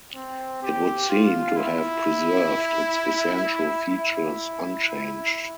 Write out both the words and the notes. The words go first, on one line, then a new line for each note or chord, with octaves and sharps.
It would seem to have preserved its essential features unchanged.
C4
G4
F4
E4
E4